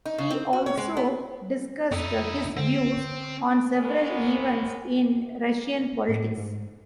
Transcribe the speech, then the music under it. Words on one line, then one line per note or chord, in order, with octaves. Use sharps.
He also discussed his views on several events in Russian politics.
D#4
C#3
C4
F#4
C#5
G#3
B3
F2 D#4 E4
D3 C4
F#3 G#3 A#3 B3
A2
G#2